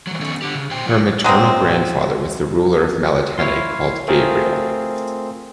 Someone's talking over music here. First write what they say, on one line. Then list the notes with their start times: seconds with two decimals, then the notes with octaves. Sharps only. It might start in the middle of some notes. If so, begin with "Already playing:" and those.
Her maternal grandfather was the ruler of Melitene called Gabriel.
0.07 E3 F#3
0.20 D#3 B3 C#4 A4
0.42 D3 G4
0.55 C#3
0.71 A#2 C5 G5
0.86 F3 E4 F#4 C#5 G5
1.24 F#3 G#3 A#3 C4
3.38 E4 C#5 F5 C6
4.08 A3 C4 F4 G#4 A#4 C5